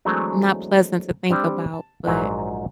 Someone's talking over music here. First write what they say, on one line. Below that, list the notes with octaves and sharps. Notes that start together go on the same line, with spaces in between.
not pleasant to think about but
E3 F#3 G#3 A3 C4 D4
G3 C4 D4 G4
A5
A#1 G#2 F#3 C5 A#5